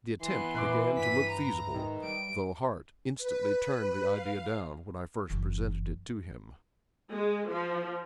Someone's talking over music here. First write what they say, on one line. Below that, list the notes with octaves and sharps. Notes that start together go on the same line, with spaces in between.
The attempt began to look feasible, though Hart instantly turned the idea down when I first presented it to him.
E3 B3 C6
A#2 B4 E5 D6
G2 B6 D#7
A#5
G#2 D#3
G3 D7
B4
F5
F#1 E3
G#3
F3